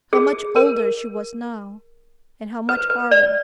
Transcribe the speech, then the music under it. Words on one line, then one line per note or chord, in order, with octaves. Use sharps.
How much older she was now, and how much harder!
G#4
A#4
B4
B4
D5